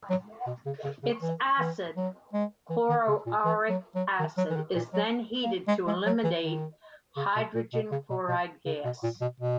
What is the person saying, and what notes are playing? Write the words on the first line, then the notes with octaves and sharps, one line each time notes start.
Its acid, chloroauric acid, is then heated to eliminate hydrogen chloride gas.
F#3
B2
C#3
C#3
C#3
E3
E3
F#3
G#3
E3
D#3
C#3
A#2
E3
F#3
F#3
D#3
F#3
E3
D#3
A#2
F#3
A#3
G#3
G#3
F#3
E3
D#3
C#3
B2
A#2
B2
C#3
B2
B2
C#3
B2
A#2
B2
B2